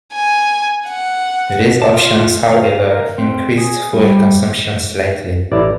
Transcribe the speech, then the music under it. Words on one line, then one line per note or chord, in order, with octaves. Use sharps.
These options however, increased fuel consumption slightly.
G#5
F#5
A5
F4
F5
A#4
C4
G#4
G3
A1 E4 D5 A5 A#5